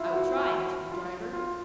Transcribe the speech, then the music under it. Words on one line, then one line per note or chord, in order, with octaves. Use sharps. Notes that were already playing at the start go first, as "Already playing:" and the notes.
"I will try," answered the driver.
Already playing: E4 F4
F#4
F4
F4